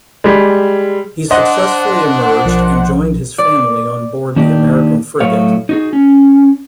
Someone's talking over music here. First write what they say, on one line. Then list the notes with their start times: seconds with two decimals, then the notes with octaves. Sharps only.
He successfully emerged and joined his family on board the American frigate.
0.24 G3 G#3
1.31 D4 C5 D#5 F#5
2.45 B1 F3 A#4
3.38 D5
4.36 D#3 A#3 D4 D#4 G4
5.20 A2 F#3 A3 C#5 F5
5.69 D#4 F#4 G#4
5.93 C#4